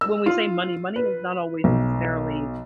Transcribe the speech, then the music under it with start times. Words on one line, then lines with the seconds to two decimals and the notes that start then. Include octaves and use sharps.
When we say, "money," money is not always necessarily
0.01 E6
0.26 F4
0.96 B4
1.64 B1